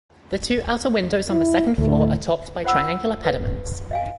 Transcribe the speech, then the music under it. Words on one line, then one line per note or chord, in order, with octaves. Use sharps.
The two outer windows on the second floor are topped by triangular pediments.
E4
D2 A2 A3
F4 C5 F#5 B5 E6
B4
D#5 F5 G#5